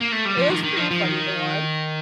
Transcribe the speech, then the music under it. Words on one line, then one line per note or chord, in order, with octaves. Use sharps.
Iit was pretty funny to watch.
A#3
A3
G3
F3
D#3
D#3
F3
F3
D#3